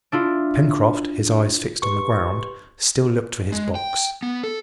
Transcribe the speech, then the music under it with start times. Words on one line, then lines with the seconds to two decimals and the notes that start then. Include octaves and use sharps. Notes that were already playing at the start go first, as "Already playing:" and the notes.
Pencroft, his eyes fixed on the ground, still looked for his box.
0.12 D4 E4 F4
1.82 G4 B4 C6 C#6
3.52 G#3
3.75 G5
4.23 B3
4.43 A4